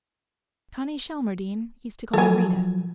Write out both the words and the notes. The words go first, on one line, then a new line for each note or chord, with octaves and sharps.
Connie Shelmardine used to call me Rita.
F3 F#3 A4 G#5